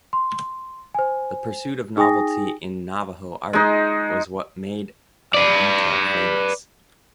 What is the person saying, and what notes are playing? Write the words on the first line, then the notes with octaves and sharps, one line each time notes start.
The pursuit of novelty in Navajo art was what made Abeita famous.
C6
C5 G#5
D#4 G#4 G5 G#5 D#6 A#6
G#3 D#4
B4 D5